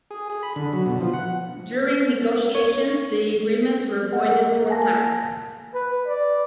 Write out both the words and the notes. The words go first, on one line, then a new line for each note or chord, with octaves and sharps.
During negotiations, the agreements were voided four times.
G#4
G#4
B5
D3
F#3
B2
F3
F#5
C#5
A#3 A#4 F#5
G#5 A5 A#6
B4
D5